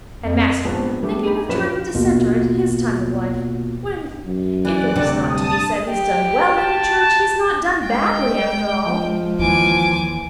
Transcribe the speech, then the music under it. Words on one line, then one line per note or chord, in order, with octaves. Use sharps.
And master thinking of turning Dissenter at his time of life, when, if it is not to be said he's done well in the Church, he's not done badly after all.
F2
A#1 G#2 B3 C4 B4 A5
G3 A3 B3 D4 G4
D#4 G4 B5
A#1 F#2 F3 B4 B5 E7
F4
A#1 D#2 B2 A#3 F4
F#2
E3 D5 F#6
D2 C3 D4
G2 A5 D#6
G4
A5
G#3 G5
F3
D#2 E3 G#5 D6